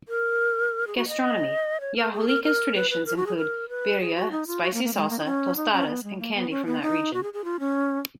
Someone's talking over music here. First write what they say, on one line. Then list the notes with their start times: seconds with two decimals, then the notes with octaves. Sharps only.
Gastronomy: Yahualica's traditions include "birria", spicy salsa, "tostadas", and candy from that region.
0.08 A#4
0.87 G#4
0.97 F#4
1.08 D#5
1.80 C#5
1.96 A#4
2.12 G#4
2.28 A#4
2.44 A#4
2.75 B4
2.90 B4
3.06 A#4
3.16 F#4
3.26 G#4
3.38 A#4
3.69 B4
4.01 G#4
4.16 F#4
4.31 D#4
4.47 F4
4.62 F#4
4.74 A#3
4.84 A#3
4.94 G#3
5.10 A#3
5.19 D#4
5.25 C#4
5.56 D#4
5.72 C#4
5.87 B3
6.03 G#3
6.19 A#3
6.35 B3
6.50 C#4
6.66 B3
6.82 D#4
7.14 F#4
7.23 G#4
7.33 G#4
7.45 F4
7.60 C#4